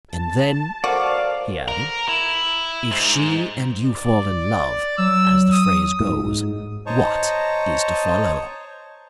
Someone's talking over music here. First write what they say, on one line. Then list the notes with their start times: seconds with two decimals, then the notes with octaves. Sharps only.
"And then," he added, "if she and you fall in love, as the phrase goes, what is to follow?"
0.13 A5
0.84 F#4 A4 A#4 C5 D5 F5
1.68 A#4
2.08 E4
2.91 G#2
3.85 D5
4.98 F#3 E6
5.52 D#6
6.00 G#2
6.86 C5 C#5 D#5 A5 A#5 C#6